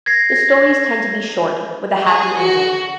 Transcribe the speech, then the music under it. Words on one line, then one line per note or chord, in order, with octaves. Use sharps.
The stories tend to be short, with a happy ending.
G#6 A#6 C7
G#4
F#4